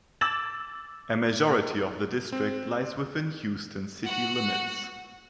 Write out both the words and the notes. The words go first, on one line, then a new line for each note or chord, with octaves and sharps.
A majority of the district lies within Houston city limits.
D6 E6 G#6 A6 E7 F#7
C4
F#4 F#5